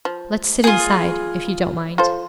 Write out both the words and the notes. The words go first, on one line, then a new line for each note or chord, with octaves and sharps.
Let's sit inside, if you don't mind.'
F3
F4 G#4
F4 A4 C5